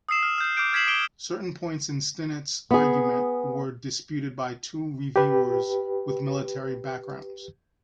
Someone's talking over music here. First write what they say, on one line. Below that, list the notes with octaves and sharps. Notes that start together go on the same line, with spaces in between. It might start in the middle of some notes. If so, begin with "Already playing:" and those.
Certain points in Stinnett's argument were disputed by two reviewers with military backgrounds.
D#6 E6 C7 E7
F6
F6 G6
D6 F6 G6 D7
F6 G#6 B6 C7 E7 F#7
D6 D7 E7 G7
B3 G#4
G4 B4